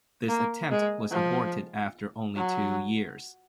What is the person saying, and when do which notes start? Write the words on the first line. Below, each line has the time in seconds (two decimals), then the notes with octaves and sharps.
This attempt was aborted after only two years.
0.29 A#3
0.71 G#3
1.12 F3
2.36 F#3